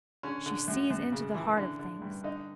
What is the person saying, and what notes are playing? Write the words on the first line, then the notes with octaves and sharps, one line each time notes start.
She sees into the heart of things.
D3 C#4
D3
F#2
F#2
C#3
E3
D3
D3
G2
D3 D#4